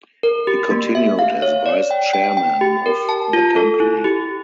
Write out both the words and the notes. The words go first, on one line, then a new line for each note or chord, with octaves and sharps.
He continued as vice chairman of the company.
A#4
G4
A#3
E5
F5
C#5
D5
G5
G5
G5
G4
A#4
A5
F4
A4
E4
G4